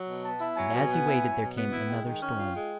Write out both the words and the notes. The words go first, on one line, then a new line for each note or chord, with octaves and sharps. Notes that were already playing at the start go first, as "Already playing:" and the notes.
And as he waited, there came another storm.
Already playing: F#3
B2
B3 A5
E4
F#3 G#5
B2
B3
E4
F#3
B2
B3
E4
G#3 G5
D#3
C#4
F4
G#3